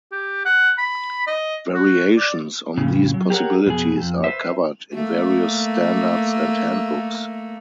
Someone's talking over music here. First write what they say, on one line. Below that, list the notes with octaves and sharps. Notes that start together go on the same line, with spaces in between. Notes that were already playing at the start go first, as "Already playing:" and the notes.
Variations on these possibilities are covered in various standards and handbooks.
G4
F#5
B5
D#5
F#4
D5
F2 A2 C#3
F#3
G4 G#4 A#4 C5 C#5 F#5
F2 B2 G#4
F2
B4 C5 E5
A3 A#3